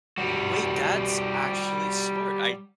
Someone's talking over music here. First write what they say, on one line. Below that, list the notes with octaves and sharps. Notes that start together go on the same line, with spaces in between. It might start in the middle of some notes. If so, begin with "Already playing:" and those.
Wait, that's actually smart. I
G3 F#4